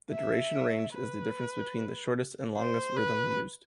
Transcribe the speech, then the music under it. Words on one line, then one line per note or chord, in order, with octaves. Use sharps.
The duration range is the difference between the shortest and longest rhythm used.
E5
B4
C5
B4